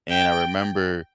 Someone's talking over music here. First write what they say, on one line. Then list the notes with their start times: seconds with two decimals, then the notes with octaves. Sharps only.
and I remember,
0.10 G5